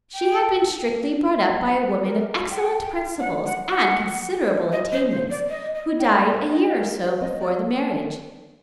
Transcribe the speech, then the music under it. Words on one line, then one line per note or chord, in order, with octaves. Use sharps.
She had been strictly brought up by a woman of excellent principles and considerable attainments, who died a year or so before the marriage.
G5
F#5
A#4
G5
F#5
G5
G5
F#5
F#5
F#5
D#5
C5
C5
D5
D#5
D#5
G5
D#5
A#4
C5
D#5
D5